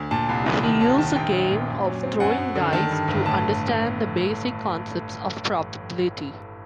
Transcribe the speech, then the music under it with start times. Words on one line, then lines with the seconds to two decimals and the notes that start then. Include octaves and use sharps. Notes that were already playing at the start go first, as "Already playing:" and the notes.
He used the game of throwing dice to understand the basic concepts of probability.
Already playing: D2
0.11 A#2 A5
0.29 C2
0.46 C2
0.63 D#3 A5
0.81 D#2 A5
0.98 D#3 A5
1.16 A#1 G5
1.33 A#1
1.51 A#2
1.68 F#2
1.86 F#3
2.03 C4
2.20 F#2 F#5
2.38 F#2
2.55 D3
2.73 D#3 A5
2.91 G2
3.08 G1
3.26 A2 A5